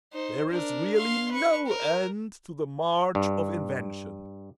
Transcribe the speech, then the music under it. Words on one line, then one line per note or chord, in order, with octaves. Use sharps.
There is really no end to the march of invention.
D#4 C5
D4 A#4
F5 C6
B4 C#6
A#4
G2